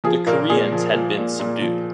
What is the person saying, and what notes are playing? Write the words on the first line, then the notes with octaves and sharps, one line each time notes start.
The Koreans had been subdued.
F3 G#4
A#2 A#3 A#4
A#2 G#4
F3
F3
A#2
A#2
F3